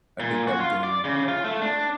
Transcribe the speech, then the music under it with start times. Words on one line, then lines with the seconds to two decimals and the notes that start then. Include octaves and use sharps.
I think that would go
0.20 A#2
0.47 F#4
0.60 F4
0.83 D5
1.05 C#3
1.28 F4
1.45 A3
1.61 D4